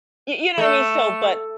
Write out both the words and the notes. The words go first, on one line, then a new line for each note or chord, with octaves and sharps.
Y you know what I mean? So but
A3